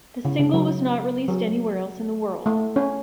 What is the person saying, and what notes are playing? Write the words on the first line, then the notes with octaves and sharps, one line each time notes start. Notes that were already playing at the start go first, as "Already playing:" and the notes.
The single was not released anywhere else in the world.
C#3
C#3
F#3
F#3
A3
C#4